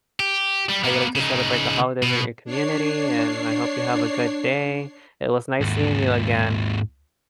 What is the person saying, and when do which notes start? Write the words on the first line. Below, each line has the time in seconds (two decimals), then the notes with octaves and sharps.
how you like to celebrate the holidays with your community, and I hope you have a good day. It was nice seeing you again.
0.20 G4
0.69 G3
0.84 A#3 B3
1.16 C#3 D#4
2.03 B2
2.45 D4 C#5 C7
5.61 D#2 G#2